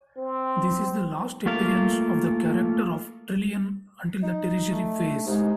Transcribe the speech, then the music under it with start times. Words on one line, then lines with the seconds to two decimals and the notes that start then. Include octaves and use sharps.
This is the last appearance of the character of Trillian until the Tertiary Phase.
0.17 C4
1.46 A3 A#3 F4 A#4 F5
4.23 D#4
4.65 A3
5.27 C2 G#3 D#4